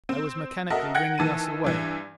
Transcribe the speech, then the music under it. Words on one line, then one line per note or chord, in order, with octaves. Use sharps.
I was mechanically ringing us away.
C4
F#4 A4 A#4 D#5 E5
F#5 G5 F#6 G#6 A#6 C#7
D#3 E3 A5 D#7
G2 E3